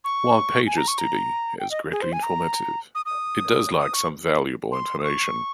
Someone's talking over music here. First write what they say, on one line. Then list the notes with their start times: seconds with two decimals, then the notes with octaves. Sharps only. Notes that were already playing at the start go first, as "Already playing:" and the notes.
While Pager's study is greatly informative, it does lack some valuable information.
0.04 C#6
0.67 G#5
0.77 A#5
0.88 C#6
0.98 A#5
1.60 G5
1.71 D#5
1.92 G#4
2.02 C5
2.12 G#5
2.23 A#5
2.95 D#6
3.06 D#6
3.78 D#6
3.94 C#6
4.72 C6
4.99 D#6
5.03 C#6